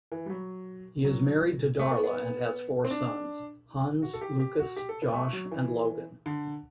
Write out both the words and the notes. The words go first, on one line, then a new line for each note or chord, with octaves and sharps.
He is married to Darla and has four sons: Hans, Lucas, Josh, and Logan.
E3
G3
F#3
F#3
A3
B3
B3
C4
D4
F#4
A4
G4
G4
F#4
G4
A4
B3
A3
F#3
E3
D3